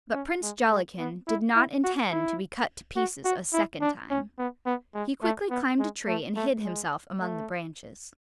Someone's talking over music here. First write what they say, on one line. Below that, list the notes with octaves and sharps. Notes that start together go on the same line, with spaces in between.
But Prince Jollikin did not intend to be cut to pieces a second time. He quickly climbed a tree and hid himself among the branches.
C#4
G#3
G#3
B3
E4
E4
F#4
E4
F#4
F#4
E4
D4
C#4
B3
B3
G#3
A3
B3
G#3
A3
A3
G#3
A3